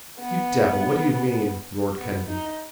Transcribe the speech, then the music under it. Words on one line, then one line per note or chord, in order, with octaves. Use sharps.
"You devil, what do you mean?" roared Kennedy.
B3
B3
D#4